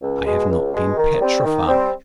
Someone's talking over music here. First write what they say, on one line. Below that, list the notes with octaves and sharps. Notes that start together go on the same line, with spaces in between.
I have not been petrified.
C#2
B2 G#3
C#2
B2 G#3
D#3
G3 C4
D#3
G3 C4